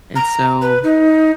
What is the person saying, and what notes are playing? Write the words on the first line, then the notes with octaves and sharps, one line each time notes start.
And so,
A#5
B4
D#4